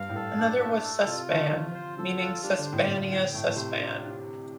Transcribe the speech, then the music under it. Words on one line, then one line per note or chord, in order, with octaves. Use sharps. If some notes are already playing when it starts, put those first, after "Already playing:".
Another was "Sesban" meaning "Sesbania sesban".
Already playing: G2 F5
A2
G2 A4
D4
A3
A4
C3 F4
D3 A3
F3 F4
C5
F3 A4
F4
G3 D4
D3
C5
A2
A2 F4
G5
A2 A3
A2
C3 C5
D4 F4